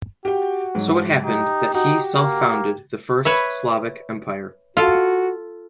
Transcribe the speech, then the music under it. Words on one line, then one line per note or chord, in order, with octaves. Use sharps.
So it happened that he self-founded the first Slavic empire.
F#4 G4 G5
G#2 F#3
D#4 G4
D#4 F#4
A#3
B4 C#5 E5
F4 F#4 A4